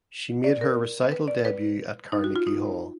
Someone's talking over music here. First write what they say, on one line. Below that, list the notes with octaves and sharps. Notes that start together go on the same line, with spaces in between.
She made her recital debut at Carnegie Hall.
D5
A#4
B4
D5
B4
D#4
F#4
F4
D#4